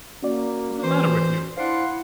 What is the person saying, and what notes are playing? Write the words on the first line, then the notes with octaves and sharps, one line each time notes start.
What's the matter with you?
A#3 C#4 F#4 D5
E3 C5
D4 E4 C5 F5 F#5 C6